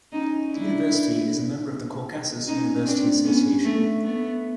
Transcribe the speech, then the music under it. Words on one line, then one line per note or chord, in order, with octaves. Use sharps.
The university is a member of the Caucasus University Association.
C#4 D#4
D4 E4
C#4 D#4
C4 D4
B3 C#4
A3 B3
A3 B3